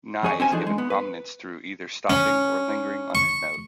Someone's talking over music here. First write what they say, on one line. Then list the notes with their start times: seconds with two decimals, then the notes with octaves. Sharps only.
Ni is given prominence through either stopping or lingering on this note.
0.23 F2 G#4 C#5
0.40 C4 C#4 C5 G#5
0.52 E3 F3 A3 D4 D#4 G#4
0.67 G#3
0.78 B3
0.90 B4
2.10 C#4
3.15 C#6